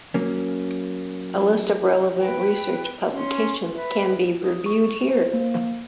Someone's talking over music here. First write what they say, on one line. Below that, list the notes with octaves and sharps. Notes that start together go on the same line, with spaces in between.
A list of relevant research publications can be viewed here.
F#3 A#3 C#4
B4 G5
C#4 C6
B4 E5
D#6
C#6
C5
A#3